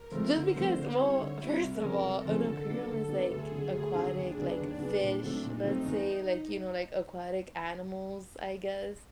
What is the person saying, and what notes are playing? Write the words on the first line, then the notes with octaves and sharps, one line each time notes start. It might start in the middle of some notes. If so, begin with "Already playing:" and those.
just because well, first of all, an aquarium is like aquatic, like fish, let's say, like, you know, like aquatic animals, I guess,
Already playing: A#4
F3 A3 C4
D3 C5
F3 A3 C4
D3 C#5
G3 C4 E4
D3
G3 C4 E4
C2 A#4
C3 F3 G#3 C#4
C2 A4
C3 F3 G#3 C#4
D3
F#3 B3 D4
D3 A4
F#3 B3 D4
D2 G#4
D3 F#3
D2
D3 F#3
D#2 D4
C#3 F#3 B3
D#2
C#3 F#3 B3
A#2
F#3 A3 C4
A#2 D#4
F#3 A3 C4
E2